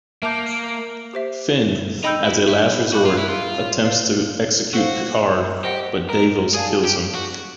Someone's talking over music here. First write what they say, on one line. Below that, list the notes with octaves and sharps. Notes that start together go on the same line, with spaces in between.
Finn, as a last resort, attempts to execute Picard, but Devos kills him.
A#3 E5 A5 D6 G6
G4 C5 E5
D#4 D#5 G5 B5 E6 G6
E4
E4
F#4 F#5 B5 D6 F#6
F4
E4
F4
B4 D5 F5
F#4 A4 C5 F5
G4 C5 D#5 F#5
A#4
G#4 D5 F5 A5
G4
F#4